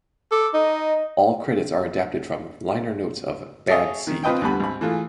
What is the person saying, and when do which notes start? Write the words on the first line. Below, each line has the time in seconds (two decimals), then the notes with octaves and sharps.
All credits are adapted from liner notes of "Bad Seed".
0.32 A4 D6
0.54 D#4 D#5
3.69 G#4 A4 C#5 D#5 E5
4.07 D#3
4.23 C4 F4 B4 D#5 G5
4.41 D2 G3 B3 B5
4.60 G#1 B5
4.81 E3 A3 F4 G#4